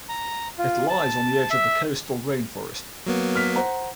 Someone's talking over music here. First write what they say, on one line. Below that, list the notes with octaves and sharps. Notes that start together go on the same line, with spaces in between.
It lies on the edge of the coastal rainforest.
A#5
F4
A5
E5
F#3 A#3 B3
F6 B6
C5 F#5 A#5